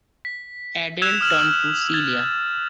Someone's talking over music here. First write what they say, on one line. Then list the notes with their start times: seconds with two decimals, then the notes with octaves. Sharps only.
Adele turned to Celia.
0.25 B6
1.02 E6 F#6 G#6 E7 F7
1.21 D#6 F6 E7 F#7
1.94 G#6 A6